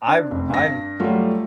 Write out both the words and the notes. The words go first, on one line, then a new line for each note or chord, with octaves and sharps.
I ru I've
D4
F1
G2 A#6
F#3 G3 A3 F4